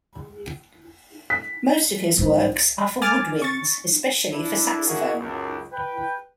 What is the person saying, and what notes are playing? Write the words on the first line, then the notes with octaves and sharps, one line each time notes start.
Most of his works are for woodwinds, especially for saxophone.
B6
G#2 F3 C#4 D#4 C5
G#5 D6 F6 A6
C#6 A6
D4 E4
A#3 C#4 E4 F#4 G#4 A#4
C#2 F#2
B4 G5